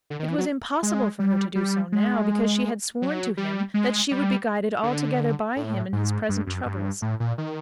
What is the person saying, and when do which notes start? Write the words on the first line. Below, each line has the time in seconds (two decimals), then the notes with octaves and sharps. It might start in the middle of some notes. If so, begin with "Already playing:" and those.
It was impossible for her to do so now, because she had sworn to him that she would be guided altogether by him in his present troubles.
0.10 D3
0.19 D#3
0.28 E3
0.38 F#3
0.83 G#3
1.19 G3
1.55 G3
1.92 G#3
3.02 F#3
3.37 G3
3.74 G#3
4.11 G3
4.83 D3
5.56 A2
5.93 G#2
6.29 G2
6.47 F#2
6.65 G2
7.02 A2
7.20 A#2
7.38 D#3